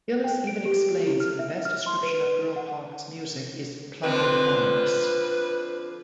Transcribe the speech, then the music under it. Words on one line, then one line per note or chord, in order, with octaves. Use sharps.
Gillis even explains that the best description of Girl Talk's music is Plunderphonics.
G5
D7
G4
E4
F6
E5
F6
C6
B4
F#5
D3 F3 C4 B4